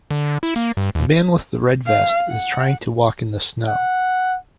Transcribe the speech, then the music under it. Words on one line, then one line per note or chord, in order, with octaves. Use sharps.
The man with the red vest is trying to walk in the snow.
D3
E4
A#3
G2
D#2
F5
F#5
F#5